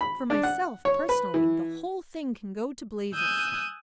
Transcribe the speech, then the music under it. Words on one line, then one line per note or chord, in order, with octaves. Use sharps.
For myself, personally, the whole thing can go to blazes.
B5
D4
F#5
C#5
B4
E3
G#5 D#6 E6 F#6 G6